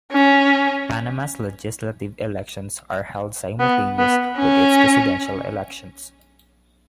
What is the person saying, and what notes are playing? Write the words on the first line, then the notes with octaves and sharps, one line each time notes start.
Panama's legislative elections are held simultaneous with its presidential elections.
C#4
B3
B3
C#4